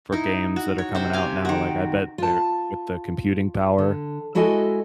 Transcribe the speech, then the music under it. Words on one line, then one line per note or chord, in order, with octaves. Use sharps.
for games that are coming out now, like, I bet they're with the computing power
D#4 E4
F#4
C#5
C3 C5 E5
G4 F5 G#5
D#3 F#4
F4 A5
D3
G#3 E4 F#4 A4 D#5 G#5